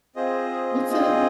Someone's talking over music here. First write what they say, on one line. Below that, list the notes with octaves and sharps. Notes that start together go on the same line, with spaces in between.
what's a
C4 F4 G#4 C5 D#5
C4 F4 G#4 C5 D#5